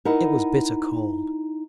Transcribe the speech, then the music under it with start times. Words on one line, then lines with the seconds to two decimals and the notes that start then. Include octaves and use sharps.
It was bitter cold.
0.05 D#4 E4 A#4 F#5